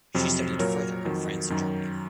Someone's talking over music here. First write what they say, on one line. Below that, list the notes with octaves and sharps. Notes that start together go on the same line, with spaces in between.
She studied further in France and Germany.
F2 C3 F#3
A#2 F#3 A#4 C#5
F2 D#3 F#3
F#2 D#3 F#3